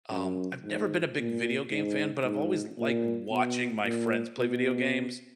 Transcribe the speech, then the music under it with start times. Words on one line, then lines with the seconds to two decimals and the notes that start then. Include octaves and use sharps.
Um, I've never been a big video game fan, but I've always liked watching my friends play video games.
0.11 F#2
0.65 G#2
1.18 A#2
1.71 G#2
2.25 G#2
2.78 A#2
3.31 B2
3.85 A#2
4.38 B2